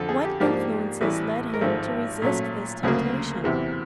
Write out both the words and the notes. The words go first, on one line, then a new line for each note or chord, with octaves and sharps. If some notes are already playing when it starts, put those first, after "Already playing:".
What influences led him to resist this temptation?
Already playing: F2 D3 F3 A4
G#4
G4
G#2 F3 A#3 D4 G4
A1 A2 E3 G3
A#4
G#1 G#2 F3 A4
A#2 F#3 A3 C#4
D2 C#3 F#3 A#3 G#4
E2 C3 E3